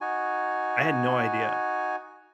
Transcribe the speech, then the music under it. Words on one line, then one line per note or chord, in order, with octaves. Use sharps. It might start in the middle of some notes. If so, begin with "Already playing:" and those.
I had no idea.
D#4 F#4 G#5